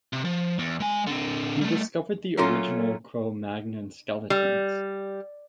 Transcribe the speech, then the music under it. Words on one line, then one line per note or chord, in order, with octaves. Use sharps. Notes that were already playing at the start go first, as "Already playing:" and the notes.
He discovered the original Cro-Magnon skeletons.
C3
F3
E2
G#3 G#5
D3 C4
G3 A3
F#3 A3 A#3 C#4 F4 A4
G3